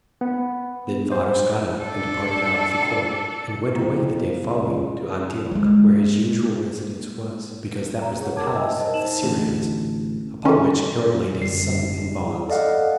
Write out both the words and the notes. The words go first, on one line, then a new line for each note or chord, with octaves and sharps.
Then Varus got up, and departed out of the court, and went away the day following to Antioch, where his usual residence was, because that was the palace of the Syrians; upon which Herod laid his son in bonds.
B3
C5
D4 A4
F2 B3 E4 G4 C5 A#5
C#2
G#3 A#3
A#5
G#4 C#5 F#5
A#4 C#5 A5 D6 G#6
D#5 E5 G5 G#5 E6
A#4 C5 D#5 A5
D#4 C5 A5 E7 F#7
A1 D2
C#4 A4
G1 F#2 G3 C7
A4 D5 D#5 F5 F#5